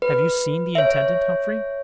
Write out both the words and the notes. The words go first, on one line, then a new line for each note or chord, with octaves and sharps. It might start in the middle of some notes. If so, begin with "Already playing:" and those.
"Have you seen the intendant, Humphrey?"
B4
C#5 E5